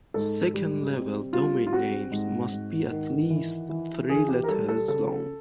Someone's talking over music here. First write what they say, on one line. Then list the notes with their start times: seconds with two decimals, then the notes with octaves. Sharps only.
Second-level domain names must be at least three letters long.
0.14 G#2 A4
0.54 G3
0.94 C4
1.33 G3 F4
1.67 F4
1.73 C4 F#4
2.11 G#2
2.52 G#2
2.91 D#3
3.30 E3
3.69 E3
4.09 E3 G#4
4.28 G4
4.44 A#4
4.48 G3 A4
4.68 A4
4.88 C#3 A4